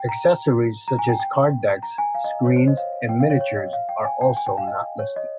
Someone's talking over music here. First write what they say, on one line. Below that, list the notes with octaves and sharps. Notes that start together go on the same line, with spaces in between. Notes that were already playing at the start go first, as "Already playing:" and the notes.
Accessories such as card decks, screens and miniatures are also not listed.
Already playing: G5
A#5
A#5
G#5
G5
G5
A#5
G#5
F5
D#5
C#5
C5
D#5
F5
G5
F5
C#5
C#5
D#5
F5
G5
G#5
G5
G#5
G5
F5
D#5
C#5
D#5